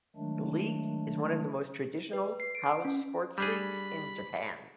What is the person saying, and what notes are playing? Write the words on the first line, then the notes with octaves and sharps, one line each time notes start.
The league is one of the most traditional college sports leagues in Japan.
D#3 F#3 G#3 A3 D4
B4
C7
D7
C#4
G3 D4 G#4 B5